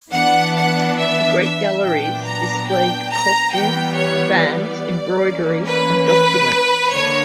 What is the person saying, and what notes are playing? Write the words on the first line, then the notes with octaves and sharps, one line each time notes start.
The Great Gallery displays costumes, fans, embroideries and documents.
E3 B3 D4 F#5
F#5
E5
E5
A#2 F#3 B3 D4 G5
A#5
G5
A#5
E3 G3 B3 G5
C#5
D5
E3 A#3 C#4
B4
B4
D3 A#3 D4 C#5